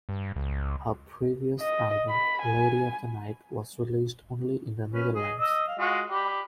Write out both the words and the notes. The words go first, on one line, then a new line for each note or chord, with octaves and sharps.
Her previous album "Lady of the Night" was released only in the Netherlands.
G2
C#2
D#5
B5
G#5
C#4 B4
G#4 D#5
D#5 E6
F5
G#3 F4 F#4
G4 D5 B5